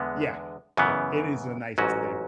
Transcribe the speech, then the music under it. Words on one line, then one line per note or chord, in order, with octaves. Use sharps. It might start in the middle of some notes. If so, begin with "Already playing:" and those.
Yeah. Yeah, it is a nice thing.
Already playing: E2 D3 G#3 B3
F#2 C#3 E3 B3
A1 G#2 F#3 C#4 F#4